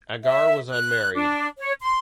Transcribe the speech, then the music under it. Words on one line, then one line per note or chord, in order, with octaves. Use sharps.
Agar was unmarried.
E5
F#6
D4
C#5
C6